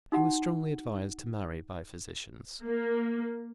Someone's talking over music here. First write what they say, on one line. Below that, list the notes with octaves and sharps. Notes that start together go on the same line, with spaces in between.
He was strongly advised to marry by physicians.
D#4 F#4 F#5
A#3